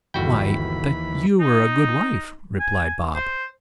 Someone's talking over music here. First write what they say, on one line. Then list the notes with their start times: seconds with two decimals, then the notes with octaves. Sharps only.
"Why, that you were a good wife," replied Bob.
0.14 G1 D#2 E3 F#4 G5 B5
1.40 D#4
2.60 G#5
3.15 C5